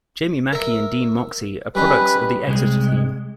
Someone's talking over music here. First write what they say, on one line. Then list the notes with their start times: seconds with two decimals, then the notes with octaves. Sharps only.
Jamie Mackie and Dean Moxey are products of the Exeter team.
0.53 A#4 E5
1.75 G3 C#4 D#4 B4
2.48 C2 G#3